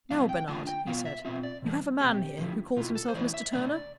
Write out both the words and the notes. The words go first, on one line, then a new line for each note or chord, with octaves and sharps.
"Now, Bernard," he said, "you have a man here, who calls himself Mr. Turner?"
C3 G3 C4 E4 F5
G5
D3 A3 D4 F4 A5
G5
B2 B3 F4 F5
E5
B2 G3 C4 F4 E5
D5
C3 E3 G3 D4
B2 A3 C4 G4
D3 F3 A3 E4
B2 A3 E4 F4
A4
C5
E3 A3 E4 D5
E5
C3 E3 A3 D4 D5